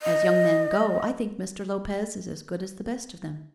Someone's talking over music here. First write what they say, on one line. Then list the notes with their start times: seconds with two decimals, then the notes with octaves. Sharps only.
As young men go, I think Mr. Lopez is as good as the best of them.
0.02 D#5